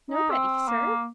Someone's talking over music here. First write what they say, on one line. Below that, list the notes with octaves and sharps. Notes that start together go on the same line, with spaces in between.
"Nobody, sir."
D#4
C4
A#3